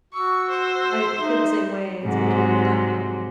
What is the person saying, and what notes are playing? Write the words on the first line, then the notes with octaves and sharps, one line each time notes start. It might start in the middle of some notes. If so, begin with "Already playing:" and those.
I feel the same way, it's good to reflect on,
F#4 C#6 E6
C5
D#4 E5
G#2 C3 F#3